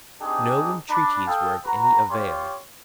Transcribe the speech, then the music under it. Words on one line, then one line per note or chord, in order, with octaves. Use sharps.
No entreaties were of any avail.
C4 D4 D#4 G4 G#4
D4 B5
A4 F5 G5 A5 D#6
F#4 B4 A#5
F4 G4 C#5 C6